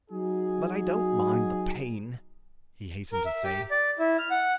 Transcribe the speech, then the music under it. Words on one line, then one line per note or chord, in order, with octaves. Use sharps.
"But I don't mind the pain," he hastened to say.
F#3 D#4 F#4 G#4
A#4
E5
G4
D5
E4
F6
F#5